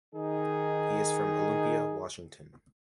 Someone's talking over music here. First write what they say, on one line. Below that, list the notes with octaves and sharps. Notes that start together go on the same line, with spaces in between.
He is from Olympia, Washington.
D#3 D#4 G#4